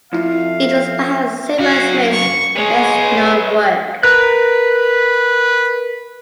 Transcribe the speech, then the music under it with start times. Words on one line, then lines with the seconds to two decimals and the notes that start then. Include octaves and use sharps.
It was perhaps Seymour-Smith's best known work.
0.13 F2 E4 E5 F5
1.58 F#2 F#4 F5
2.12 C#6
2.56 G#3 B4 C#5
4.03 A#4 B4 F#6